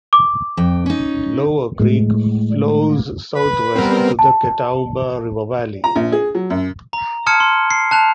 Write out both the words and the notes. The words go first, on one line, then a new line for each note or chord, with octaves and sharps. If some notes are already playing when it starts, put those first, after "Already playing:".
Lower Creek flows southwest to the Catawba River valley.
D6
F2 G5
C#4 D#4
A2 G#3
B4 B5
G3 B3 C4 A#4
A5
A#5
A#1
G#4
F#3
F#2
A#5
A5 C6 D#6 F6 G#6 C#7
C6
C7
A5 F#6 F7